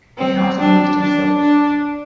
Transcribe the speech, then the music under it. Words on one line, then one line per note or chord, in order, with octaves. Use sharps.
It can also be used in soaps.
C4
D4
D4
D4